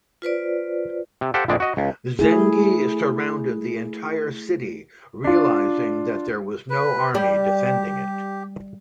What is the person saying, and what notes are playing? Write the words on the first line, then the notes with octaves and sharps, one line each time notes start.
Zengi surrounded the entire city, realizing that there was no army defending it.
F4 B4 C5 D5
C3
G4 A4 C5 F5 F#5
A#1 F2 D3 G#3 D5
F#4 D#5
C#2
A3 E4 G#4
D4 F4
B4
G3 G4